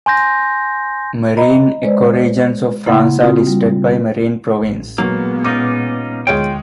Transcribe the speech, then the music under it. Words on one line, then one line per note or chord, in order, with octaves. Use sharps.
Marine ecoregions of France are listed by marine province.
G#5 C6 G6 A#6
D#5 A#5 B5
G#3 B4 C5 D5
C#3 A#3 E4 F#5 B5 C6
C4 F4 F#4 D#6
G3
A1
A#2 F#3 G#3 A#3 B3
C#4 D#4 F4 D6
D2 G#3 F4 C#5 G5